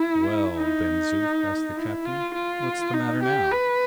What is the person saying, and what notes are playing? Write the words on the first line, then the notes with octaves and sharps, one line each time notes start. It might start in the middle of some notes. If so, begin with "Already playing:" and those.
"Well, Ben Zoof," asked the captain, "what's the matter now?"
Already playing: E4
D#4
E4
F4
F4
D#4
G4
B4